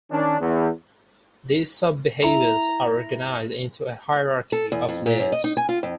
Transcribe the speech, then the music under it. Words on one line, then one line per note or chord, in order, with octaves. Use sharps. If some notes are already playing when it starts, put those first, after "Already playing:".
These sub-behaviors are organized into a hierarchy of layers.
D#3 C#4 D4
E2
E4 A#5
A4
E2
F2
A#2
F#2
D#5
D#4
G#5
F4
F2